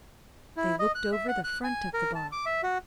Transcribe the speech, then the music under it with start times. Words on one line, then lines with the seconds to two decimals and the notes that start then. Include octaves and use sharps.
They looked over the front of the box.
0.57 E4
0.79 D#5
0.95 F#6
1.12 E5
1.28 F#5
1.44 F#6
1.64 G#5
1.94 A#4
2.15 A5
2.32 D6
2.46 E5
2.63 F#4